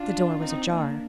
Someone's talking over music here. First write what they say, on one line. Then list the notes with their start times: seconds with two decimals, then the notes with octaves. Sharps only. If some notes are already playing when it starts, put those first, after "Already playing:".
The door was ajar.
Already playing: D4 F4
0.39 C4 D#4
0.69 A#3 D4